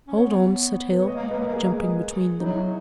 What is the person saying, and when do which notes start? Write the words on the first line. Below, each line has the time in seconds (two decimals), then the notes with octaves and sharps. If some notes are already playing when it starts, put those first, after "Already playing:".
"Hold on!" said Hale, jumping between them.
0.08 C#4
0.16 B3 C#5
0.92 B4
1.01 C#5
1.07 G#3 D#5
1.16 A#3
1.24 G#3
1.31 A#3 B4
1.40 G#3 A#4
1.48 A#3
1.53 G#3 G#4
1.64 A#3
1.72 G#3
2.40 D#4
2.44 F#3 E4